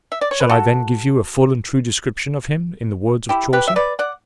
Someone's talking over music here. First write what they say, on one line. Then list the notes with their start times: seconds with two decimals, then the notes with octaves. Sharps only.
"Shall I then give you a full and true description of him in the words of Chaucer?"
0.12 E5
0.21 D5
0.31 C#5
0.40 B4
0.49 F#4 A4
3.29 E4 G4
3.53 G4 B4
3.68 E5
3.76 B4 D5
3.99 D5 F#5